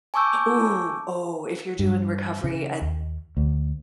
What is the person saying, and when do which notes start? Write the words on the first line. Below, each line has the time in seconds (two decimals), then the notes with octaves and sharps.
Ooh, oh, if you're doing recovery at
0.14 G#5 A5 C#6 D6 E6 G6
1.79 G2
2.44 C#3
2.81 D#2
3.37 D2